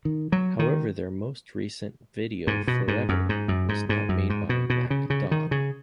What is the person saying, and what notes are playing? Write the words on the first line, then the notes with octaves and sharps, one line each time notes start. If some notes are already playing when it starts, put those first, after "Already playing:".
However, their most recent video, "Forever", was not made by Mack Dawg.
D#3
F#3
D#3
G#2
B2
G#2
F#2
G#2
F#2
G#2
G#2
F#2
G#2
B2
B2
C#3
C#3
D#3
C#3